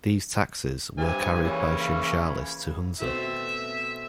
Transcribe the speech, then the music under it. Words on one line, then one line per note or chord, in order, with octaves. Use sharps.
These taxes were carried by Shimshalis to Hunza.
G2 C3 G#5
C#3 E3 A#3 C#4
B2 A3 C4 E5